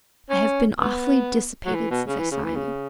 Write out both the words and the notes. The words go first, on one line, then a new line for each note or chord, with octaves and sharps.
'I have been awfully dissipated since I saw you.'
C#4
B3
F#3
E3
B2
C#3
E3
C#3
E3
C#3